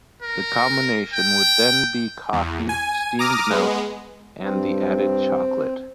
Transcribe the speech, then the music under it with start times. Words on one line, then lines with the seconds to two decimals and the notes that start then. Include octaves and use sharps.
The combination would then be coffee, steamed milk, and the added chocolate.
0.22 A#4
1.14 G5
2.33 E2
2.69 G#5
3.19 A#5 D6 D#6 F6
3.51 G#3 B3
4.41 G2 C4